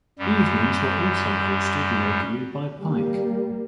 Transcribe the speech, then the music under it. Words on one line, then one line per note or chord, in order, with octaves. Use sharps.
Evenings were also hosted locally by Pyke.
F#2 G3
G3 A#3